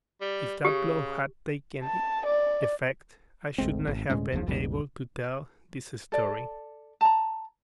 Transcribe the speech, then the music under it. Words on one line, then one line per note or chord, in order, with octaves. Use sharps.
If that blow had taken effect I should not have been able to tell this story.
G3
C#3 G4
A5
D5
G#1 D2 G#3 C4
G#1
D2 A2 G#3 C#4
F1 D#2 C#3 F3
G#1 D#2 B2 G3
A4 D5
A5 A#5